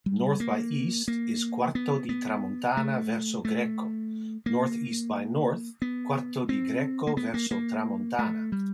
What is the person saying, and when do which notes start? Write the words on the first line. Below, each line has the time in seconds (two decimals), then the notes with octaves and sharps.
North-by-east is "Quarto di Tramontana verso Greco", northeast-by-north "Quarto di Greco verso Tramontana".
0.06 G3
0.40 A#3
1.08 A#3
1.75 B3
2.09 B3
2.77 A3
3.45 A3
4.46 A#3
5.82 B3
6.49 C4
7.07 A#3
7.17 B3
7.34 A#3
7.51 A#3
8.19 A3
8.52 G3